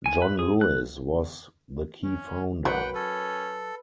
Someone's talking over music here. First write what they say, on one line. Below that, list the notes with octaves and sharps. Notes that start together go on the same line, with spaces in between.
John Lewis was the key founder.
G#5
B4
G#4
F#6
C#4
F#3 F#4 B4 F#5 G5
C#4 A4